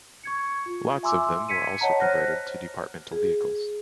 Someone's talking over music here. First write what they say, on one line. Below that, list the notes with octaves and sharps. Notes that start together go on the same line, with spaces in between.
Lots of them were also converted to departmental vehicles.
C#6 G#6 C#7
F4
E5 G#5 A#5 C6 D6 E6
G#6 B6 C#7 D#7
C#5 D#5 F#5 A5 A#5
C5 F6 F#6 A#6
G#4